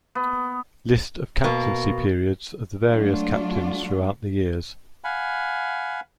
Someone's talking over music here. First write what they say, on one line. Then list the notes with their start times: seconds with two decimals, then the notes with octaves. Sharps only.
List of captaincy periods of the various captains throughout the years.
0.15 B3
1.44 B2 A#3
2.88 F#3 G#3 A3 D4 F4 F#4
5.04 F5 F#5 G#5 B5